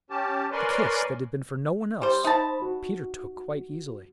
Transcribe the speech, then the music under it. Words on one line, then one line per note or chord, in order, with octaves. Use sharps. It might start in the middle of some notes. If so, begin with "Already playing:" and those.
The kiss that had been for no one else, Peter took quite easily.
C#4 G4 A5
A#4 B4 C#5 D5 G#5 C6
G3 C5
D#4 C5 A5 B5
F#4